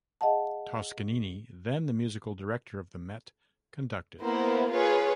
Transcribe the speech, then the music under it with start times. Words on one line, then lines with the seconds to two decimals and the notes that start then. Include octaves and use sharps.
Toscanini, then the musical director of the Met, conducted.
0.21 G#4 D#5 F5 F#5 A5
4.21 A#3 B3 E4 A#4 C5
4.72 F4 G#4 B4 C#5